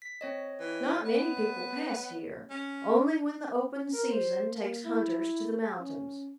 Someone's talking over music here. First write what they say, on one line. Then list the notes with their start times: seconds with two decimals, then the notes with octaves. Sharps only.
Not many people pass here, only when the open season takes hunters to the mountains.
0.02 B6
0.21 C4 C#5 D#5
0.60 E3
1.05 B3
2.50 C#4
3.93 A#4
4.12 C5
4.52 A#3
4.85 E4
5.79 C#4